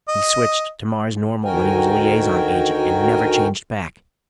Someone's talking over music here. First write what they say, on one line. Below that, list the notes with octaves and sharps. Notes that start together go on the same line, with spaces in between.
He switched to Mars-normal when he was a liaison agent and never changed back.
D#5
D2 D#3 F#4 A#4 G5 G#5